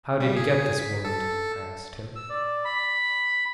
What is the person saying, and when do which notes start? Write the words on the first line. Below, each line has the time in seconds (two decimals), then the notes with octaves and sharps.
"How did he get this wound?" I asked him.
0.20 G3
0.36 G#4
0.79 B6
1.05 A4
2.16 E6
2.30 D5
2.65 B5